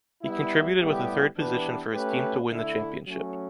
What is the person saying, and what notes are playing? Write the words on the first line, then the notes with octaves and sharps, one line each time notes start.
He contributed with a third position for his team to win the championship.
G3 B3 E4
A2 G3 B3 E4 G4
E3 B3 D4 G4 B4
A3 C#4 G4 B4
D3 A3 E4
F#3 A3 C#4